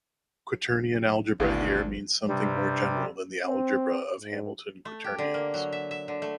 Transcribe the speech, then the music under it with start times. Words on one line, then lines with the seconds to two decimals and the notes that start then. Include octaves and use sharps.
"Quaternion algebra" here means something more general than the algebra of Hamilton quaternions.
1.40 G#1 D2 B2 D4 E4 F5
2.28 G2 C3 G3
3.46 C4
4.20 G#2
4.85 A3
5.04 G4
5.18 D3
5.34 A#3
5.54 F#3
5.72 E5
5.91 E5
6.08 D3
6.22 A3